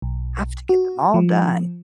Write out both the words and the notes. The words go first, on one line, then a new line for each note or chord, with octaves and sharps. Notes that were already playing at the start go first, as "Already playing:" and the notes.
I have to get them all done."
B1
F#4
F3